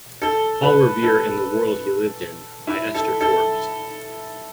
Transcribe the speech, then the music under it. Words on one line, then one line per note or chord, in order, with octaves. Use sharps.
Paul Revere And The World he Lived In, By Ester Forbes.
A4
B4
A4
E4
A4
A4